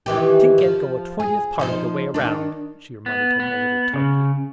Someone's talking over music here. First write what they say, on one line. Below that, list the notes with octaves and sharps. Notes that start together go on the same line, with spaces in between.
"Tink can't go a twentieth part of the way round," she reminded him a little tartly.
D#3 E3 G4
F3
G#4
F3 D#4 C5
D#3 D4
B3
B3
C#3